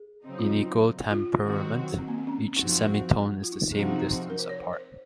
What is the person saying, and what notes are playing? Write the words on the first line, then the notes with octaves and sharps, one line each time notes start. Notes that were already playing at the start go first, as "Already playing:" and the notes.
In equal temperament, each semitone is the same distance apart.
Already playing: G#4
C#3 F#3 C4 D#4
F4
F4
D#3 F#3 C4 F#4
C4
A#3
C4
C#4
F#2 F3 C4 D#4 F#4
F4
D#4
C3 F3 C4 D#4 F#4 G#4
A#4
C5
C#5
C5
C5